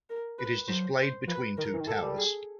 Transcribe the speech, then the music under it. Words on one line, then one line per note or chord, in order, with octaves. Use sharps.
It is displayed between two towers.
A#4
B4
F#3 C5
C5
F3 B4
D#3 A#4
E3
D#3
E3 A4
G3
G#4